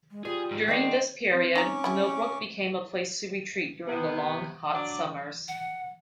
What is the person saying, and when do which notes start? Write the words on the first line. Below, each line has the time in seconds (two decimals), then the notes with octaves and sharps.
During this period, Millbrook became a place to retreat during the long, hot summers.
0.11 G#3
0.25 G3 F4 G#4
0.51 G#2 G#3
0.68 D#3 G#3 B3 C4 D5
1.33 C4
1.56 C#4 D#4 A#5 C#6 D6
1.84 C#3 E4 B5
3.88 C3 B3
4.74 F#3 D4 D5
5.48 F#5